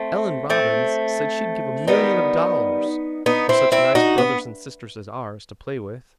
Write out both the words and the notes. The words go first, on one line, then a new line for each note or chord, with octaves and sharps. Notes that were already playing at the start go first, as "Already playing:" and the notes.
Ellen Robbins says she'd give a million of dollars for such nice brothers and sisters as ours to play with.
Already playing: A3 C4
A3 C4
D#3 G3 B3 D#4
B3 D#4
C4 E4
C4 E4
D#4 F#4
B3